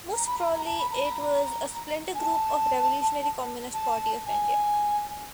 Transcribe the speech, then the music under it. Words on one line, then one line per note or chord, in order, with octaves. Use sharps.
Most probably it was a splinter group of Revolutionary Communist Party of India.
A#5
B5
A#5
A#5
A5
B5
A#5
B5
A#5
G#5
A5
A5
G#5